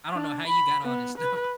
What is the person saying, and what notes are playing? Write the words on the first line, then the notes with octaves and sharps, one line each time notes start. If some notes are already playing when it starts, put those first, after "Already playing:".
I don't know how you got all this stuff
D4
B5
B3
B4